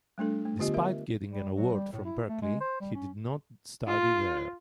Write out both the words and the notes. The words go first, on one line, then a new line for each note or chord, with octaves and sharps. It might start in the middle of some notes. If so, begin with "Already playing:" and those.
Despite getting an award from Berklee, he did not study there.
G3 A3 D4 A4
A3
D3 B3 F4 G4 D#5
A#4 E5
G3
F#3
G3
A2
E4
A3
G#3
C5
G3
C#4
F4